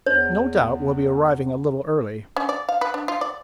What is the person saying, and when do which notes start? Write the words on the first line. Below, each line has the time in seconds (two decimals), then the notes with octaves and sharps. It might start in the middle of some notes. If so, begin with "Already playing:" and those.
No doubt we'll be arriving a little early.
0.06 E2 C#5
2.37 C#4
2.49 D5
2.69 F5
2.81 B4
2.94 D4
3.08 F4
3.21 D5